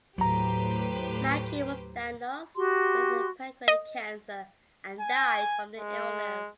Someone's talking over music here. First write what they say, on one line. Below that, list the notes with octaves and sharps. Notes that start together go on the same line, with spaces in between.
Mackie was diagnosed with pancreatic cancer and died from the illness.
D#2 A2 F#3 G4 B4 C5 A#5
F#4 G4 C6
D#5
G#5
G#3